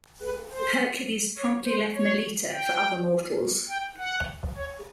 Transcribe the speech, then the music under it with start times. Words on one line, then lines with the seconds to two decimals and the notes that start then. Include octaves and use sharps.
Hercules promptly left Melite for other mortals.
0.21 B4
0.51 C5
1.37 C#5
1.67 C5
1.95 C#5
2.53 G5
3.69 G5
3.98 F#5
4.56 C#5